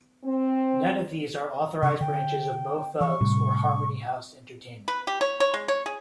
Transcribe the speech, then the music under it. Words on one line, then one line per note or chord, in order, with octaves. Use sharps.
None of these are authorizied branches of Mo Thugs or Harmony Howse Entertainment.
C4
C#3 C#6
D3 G5
E3 C#6
A2 C3 G3
B4
G4
C#5
C#5
G#3
C#5
G#4